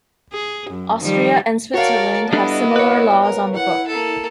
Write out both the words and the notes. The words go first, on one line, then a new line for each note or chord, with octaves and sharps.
Austria and Switzerland have similar laws on the book.
G#4
F#2
D#3 F3 G3
F#4 A#4 C#5 D5 F5 A5
G3 B3 D4 E4 A4 D#5
B4 C#5
A#4
E4 F#5
A#3 A4